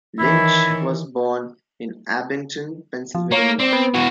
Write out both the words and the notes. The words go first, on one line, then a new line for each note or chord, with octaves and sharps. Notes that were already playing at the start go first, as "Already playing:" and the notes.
Lynch was born in Abington, Pennsylvania.
D#3 E3 E4 C#5
F3
A#3 C#5
C4 D5
B3
E3 F#4